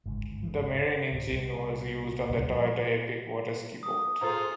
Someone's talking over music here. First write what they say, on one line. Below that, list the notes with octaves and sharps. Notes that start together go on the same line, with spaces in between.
The marine engine was used on the Toyota Epic waterski boat.
G1 C#2 G#2
D1
C2
C#2 C3 G3 C#4
A#2 F3 G3
D#6
F4 G#4 A4 C5 A#5